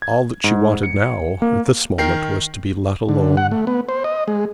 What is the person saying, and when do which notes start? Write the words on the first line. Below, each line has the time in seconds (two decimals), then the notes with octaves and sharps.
All that she wanted now, at this moment, was to be let alone!
0.02 G#6
0.44 G#2
0.83 C#7
1.42 A#3
1.98 D#3 A#4 G5 C7
3.09 D3
3.37 F#5
3.51 A3
3.67 B3
3.89 C5
4.04 D#5
4.28 G#3